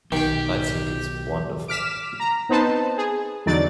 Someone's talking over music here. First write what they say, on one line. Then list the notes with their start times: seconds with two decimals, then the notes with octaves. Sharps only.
I think it's wonderful.
0.12 B1 D#3 G4 G5
1.68 D6 F6 B6 E7
2.20 A#5
2.49 B3 C4 D#4 B4 C5 A5
2.98 G#4
3.46 E2 D3 F#3 D#4 D5 A6